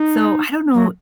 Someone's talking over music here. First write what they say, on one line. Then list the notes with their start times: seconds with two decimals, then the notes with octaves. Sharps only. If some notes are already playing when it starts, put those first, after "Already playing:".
So I don't know
Already playing: D#4
0.74 F#3